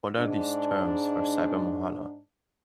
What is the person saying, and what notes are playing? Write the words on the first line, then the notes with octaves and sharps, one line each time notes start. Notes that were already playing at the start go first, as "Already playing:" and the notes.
What are these 'terms' for Cybermohalla?
G#2 D4